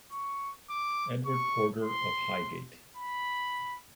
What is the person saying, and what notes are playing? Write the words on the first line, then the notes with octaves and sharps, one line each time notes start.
Edward Porter of Highgate.
C#6
D6
C#6
C6
B5